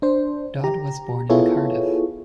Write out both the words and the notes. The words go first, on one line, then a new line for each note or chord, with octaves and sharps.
Dodd was born in Cardiff.
D4 C5
G4 A#5
B3 E4 F4 G#4 A4 C#5